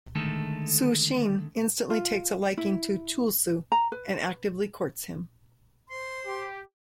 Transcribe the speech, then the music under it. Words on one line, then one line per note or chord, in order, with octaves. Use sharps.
Su-jin instantly takes a liking to Chul-soo and actively courts him.
D3 D#3 G#3 A3 A4
F4
E4
A#5
B4
C5 C6
G4